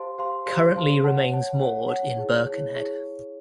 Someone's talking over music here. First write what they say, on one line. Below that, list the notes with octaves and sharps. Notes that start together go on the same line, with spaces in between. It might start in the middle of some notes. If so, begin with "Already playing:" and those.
Currently remains moored in Birkenhead.
Already playing: G4 C5 F5 A5 C6
G4 C5 F5 A5 C6
G4 C5 F5 A5 C6
G4 C5 F5 A5 C6
C#5 F#5 A5
C#5 F#5 A5
C#5 F#5 A5
C#5 F#5 A5
E4 G#4 C#5
E4 G#4 C#5
E4 G#4 C#5